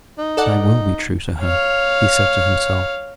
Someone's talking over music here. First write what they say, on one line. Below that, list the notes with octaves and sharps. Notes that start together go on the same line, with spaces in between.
"And I will be true to her," he said to himself.
D#4
A4 D5 F#5
C#5 F5